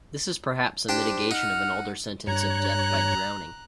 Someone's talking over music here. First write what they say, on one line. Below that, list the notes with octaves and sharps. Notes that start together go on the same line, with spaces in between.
This is perhaps a mitigation of an older sentence of death by drowning.
D4 G4 C5 G5
D#4 F#5 F6
G2 C#5 A#5 F#6